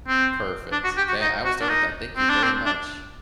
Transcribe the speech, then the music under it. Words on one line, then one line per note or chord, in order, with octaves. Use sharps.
Perfect. 'kay. I will start with that. Thank you very much.
C4
D4
F#4
G4
F#4
D#4
F#4
D4
D#4
C4
D4
C4
D4